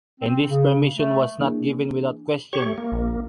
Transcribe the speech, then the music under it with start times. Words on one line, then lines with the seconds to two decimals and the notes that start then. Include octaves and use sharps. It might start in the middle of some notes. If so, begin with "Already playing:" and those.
And this permission was not given without question.
0.20 C4
0.48 C#3
0.98 A3
1.40 E3 A#3 D4 G#4
2.53 G4 C#5 C#6
2.66 A3
2.78 A#3
2.92 A#1